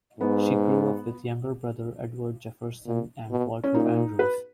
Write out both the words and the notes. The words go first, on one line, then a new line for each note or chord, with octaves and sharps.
She grew up with younger brothers Edward Jefferson and Walter Andrews.
G#2 B3
A#2
B2
C#4
A#2 D#4
B4